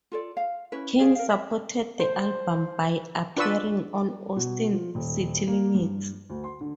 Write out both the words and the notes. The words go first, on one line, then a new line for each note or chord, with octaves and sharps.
King supported the album by appearing on "Austin City Limits".
F4 A4 D5
F5
C#4 E4 B4
G4 G#4 D5 F5
A#4 F5
E5
C5
D4 F4 B4 D5 C#6 E6
B2
F3
D#1
A#3
G2
D2
C6
D3